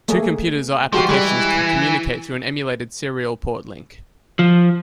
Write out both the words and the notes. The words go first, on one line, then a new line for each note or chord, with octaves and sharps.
Two computers or applications can communicate through an emulated serial port link.
A3 A#3 G#4
F3 G#3 F#4 G4
E3 G3 G#3
F3